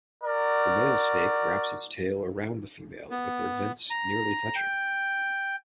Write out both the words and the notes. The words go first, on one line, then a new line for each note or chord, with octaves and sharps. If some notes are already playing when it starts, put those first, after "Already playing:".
The male snake wraps its tail around the female with their vents nearly touching.
F#4 A#4 D5
B3
A#5
G5